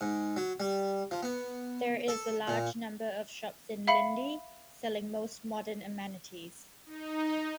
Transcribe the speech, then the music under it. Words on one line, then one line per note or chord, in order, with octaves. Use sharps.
There is a large number of shops in Lindi, selling most modern amenities.
G#2
F#3
G3
F3
B3
A4
A#2
E5 F5 B5 C7 C#7 F#7
D#4